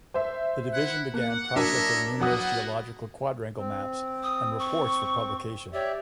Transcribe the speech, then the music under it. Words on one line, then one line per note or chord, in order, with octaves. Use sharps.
The Division began processing numerous geological quadrangle maps and reports for publication.
C5 E5
E4 F#5
A#3 F#5
F#3 D4 A#4 C#5 D#5 E5
F#3 A#3 B3 F#5 D#6
C4
D#6
C#6
G4 C#5 D5 E5